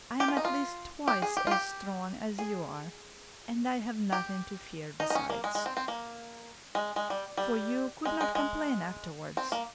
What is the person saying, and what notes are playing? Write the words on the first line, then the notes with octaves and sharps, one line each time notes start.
I am at least twice as strong as you are and I have nothing to fear, besides. For you could not complain afterwards.
G4
F4
D#4
F4
G4
G#4
G4
F4
G4
G#4
G4
D#4
D#4
C#4
A#3
G#3
G#3
C4
C4
A#3
G#3
G#3
G3
G3
G#3
G#3
G#3
C4
A#3